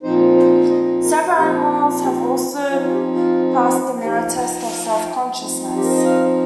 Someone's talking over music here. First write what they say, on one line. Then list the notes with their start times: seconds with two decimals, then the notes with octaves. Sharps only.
Several animals have also passed the mirror test of self-consciousness.
0.03 A#2 F3 C4 D#4 C5
0.37 C5
0.64 C5
0.70 D#5
1.04 A#4
1.37 A#2 F3 C4 D#4 G4
1.70 F4
2.03 G4
2.70 F3 C4 D#4 F4
2.85 F4
2.93 G4
3.15 F4
3.97 A#4
4.04 F3 D#4 G4
4.38 A#5
4.71 F5
4.95 F5
5.05 G5
5.37 F3 C4 D#4
5.76 G4
5.83 A#4
5.90 C5
5.98 D#5
6.05 F5